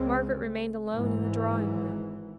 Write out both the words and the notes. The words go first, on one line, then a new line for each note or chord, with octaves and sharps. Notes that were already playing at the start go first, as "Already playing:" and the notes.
Margaret remained alone in the drawing-room.
Already playing: C#2 C#3 G#3 C4
G#1 G#2 E3